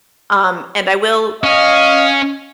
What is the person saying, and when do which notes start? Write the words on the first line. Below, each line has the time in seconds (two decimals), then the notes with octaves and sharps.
um, and I will
1.44 C#4 D#5 F5